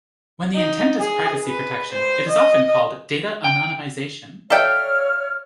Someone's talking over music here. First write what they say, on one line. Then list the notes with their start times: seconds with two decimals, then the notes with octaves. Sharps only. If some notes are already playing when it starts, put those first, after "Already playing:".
When the intent is privacy protection, it is often called data anonymization.
0.55 D#4
1.00 G#4
1.46 B4
1.93 C5
2.30 D#5
3.44 G5
4.50 A4 C#5 D5 E5 F5 G5 F6